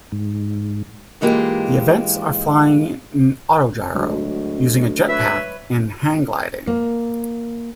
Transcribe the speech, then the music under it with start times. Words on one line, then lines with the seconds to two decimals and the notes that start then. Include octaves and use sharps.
The events are flying an autogyro, using a jet pack, and hang gliding.
0.12 G#2
1.21 G#2 E3 G#3 A#3 F4 G4
3.94 D2 F#3 G#3
5.09 B4 C#5 E5
6.67 A#3